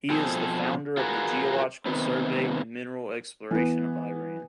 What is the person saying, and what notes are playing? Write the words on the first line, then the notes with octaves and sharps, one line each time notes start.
He is the founder of the Geological Survey and Mineral Exploration of Iran.
B2 F3 C4 G#4 A4
F4 F#4 G#4 A#4 B4
C3 D#3 B3 C4
E3 B3